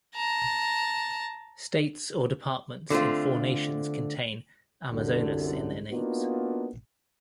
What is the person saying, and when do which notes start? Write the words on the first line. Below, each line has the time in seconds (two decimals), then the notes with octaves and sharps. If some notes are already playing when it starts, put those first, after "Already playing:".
States or departments in four nations contain "Amazonas" in their names.
0.16 A5 A#5
2.90 D3 A3 C4 F4
4.92 C2 F#2 D3
5.91 A#3 B3 D4 D#4 F4 F#4